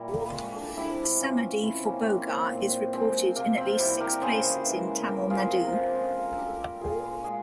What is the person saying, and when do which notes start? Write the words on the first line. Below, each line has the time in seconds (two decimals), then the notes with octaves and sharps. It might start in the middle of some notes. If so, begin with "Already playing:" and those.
Samadhi for Bogar is reported in at least six places in Tamil Nadu.
Already playing: A#2 G3 E4
0.34 G#3
0.77 C3 E4 G4
1.19 E3 G3 C#4 F4
1.63 C3 C4 E4
1.84 A#3 C#4
2.06 G3 C4
2.28 A#3
2.50 A#2 C4
2.93 F3 G#3 C4
3.36 C3 A#3
3.58 C4
3.79 G3 E4 G4
4.00 G4 A#4
4.22 C#3 G#4 C5
4.65 E3 G#3
5.08 C3 G4 A#4
5.30 F4 G#4
5.51 F3 G#3 C4
5.64 A#4
5.73 F4 G#4
5.95 C#3 F4 G#4
6.37 G3 G4 A#4
6.81 A#2 F4 G#4
7.24 G#3 F4 G#4